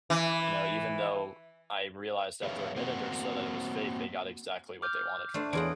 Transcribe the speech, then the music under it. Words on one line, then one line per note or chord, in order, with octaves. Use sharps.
you know, even though I realized after a minute or so that it was fake, they got exactly what they wanted from me.
E3
G4 G#4 B4 C#5 E5 F5
A#3 C4 F#4
D6 F6 G6
A3 D4 C5
E2 F4 G#4 C#5 F#5 D7